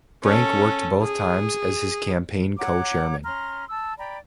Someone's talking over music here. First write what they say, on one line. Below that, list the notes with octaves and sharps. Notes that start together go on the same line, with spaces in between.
Frank worked both times as his campaign co-chairman.
C#4 A4
G#4
C#5 F#5 A#5 D6
C#4 A#5 C6 F6
A5 E6
D5 G5 A#5 B5